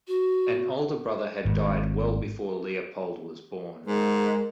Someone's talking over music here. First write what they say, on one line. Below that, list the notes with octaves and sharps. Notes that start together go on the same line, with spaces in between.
An older brother had died well before Leopold was born.
F#4
G#1 G#2
G#2 G#3 A#4